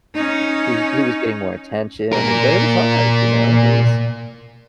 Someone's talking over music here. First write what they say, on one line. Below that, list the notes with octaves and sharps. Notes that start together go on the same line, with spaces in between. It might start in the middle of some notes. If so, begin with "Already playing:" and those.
“he he was getting more attention. And but it was hard, you know? It was
C#4 D#4
A#2 A#4